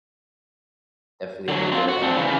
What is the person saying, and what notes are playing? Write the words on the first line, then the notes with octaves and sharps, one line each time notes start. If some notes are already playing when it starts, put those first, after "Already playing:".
definitely had a good, uh
D3 F#3
C4 F4
F#4
C4 D4
C#3 E3